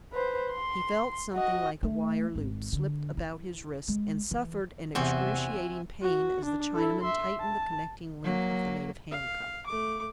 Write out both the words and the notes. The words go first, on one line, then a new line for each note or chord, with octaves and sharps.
He felt something like a wire loop slipped about his wrists, and suffered an excruciating pain as the Chinaman tightened the connecting link of the native handcuff.
B4 C5
C6
F#4 D#5
A3
G#1
D3
E4
G#3
E3
E2 C3 C4 F#4 E5 G#5
F#4
D4
E4 A4
E5 C6
A5
F#3 A#3
F5
A3 D6